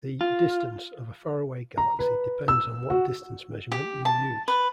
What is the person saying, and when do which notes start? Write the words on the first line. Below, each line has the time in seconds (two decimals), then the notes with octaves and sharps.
The "distance" of a far away galaxy depends on what distance measurement you use.
0.21 F4
1.77 A#5
1.99 B4
2.48 E6
2.90 F#4
3.72 G4
4.05 A5
4.48 B4